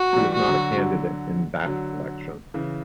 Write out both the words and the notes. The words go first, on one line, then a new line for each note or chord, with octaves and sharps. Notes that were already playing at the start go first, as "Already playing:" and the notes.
She was not a candidate in that election.
Already playing: F#4
F#3
E3 G3
F#4
G3
D3 F#3
D3 F#3
D3 F#3
C#3 E3